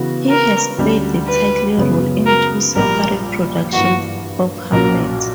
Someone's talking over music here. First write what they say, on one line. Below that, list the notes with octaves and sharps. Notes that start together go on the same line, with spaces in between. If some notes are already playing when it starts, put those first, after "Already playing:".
He has played the title role in two separate productions of Hamlet.
Already playing: C#3 E3 B3 F#4
A#4
D2 D3 G3 C#4
B4
F#2 C#3 F#3 B3
A#4
A#1 A#2 G3 A#4
G2 E3 A#3 F#4
B1 A#2 A#3 C#4 F#4 A#4